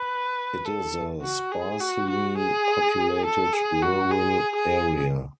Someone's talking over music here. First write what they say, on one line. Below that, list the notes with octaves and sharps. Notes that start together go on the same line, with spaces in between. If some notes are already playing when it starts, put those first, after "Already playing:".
It is a sparsely populated, rural area.
Already playing: B4
A4
F#4
G#4
F#4
F#4
G#4
A4
G#4
F#4
G#4
G#4